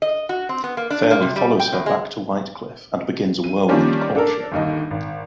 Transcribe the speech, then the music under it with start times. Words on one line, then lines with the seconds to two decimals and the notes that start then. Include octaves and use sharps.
Fairley follows her back to Whitecliff and begins a whirlwind courtship.
0.02 D#5
0.29 F#4
0.49 C4
0.64 B3
0.77 A#3
0.90 D4
1.11 A#3
1.22 C3
1.36 G3
1.60 G5
1.72 E2
1.86 G#3
3.44 D#7
3.68 D#3 G3 A#3 C#4 D4 F4
4.15 D4 A4 A#4
4.52 G1 D#2 D#4
4.91 G#1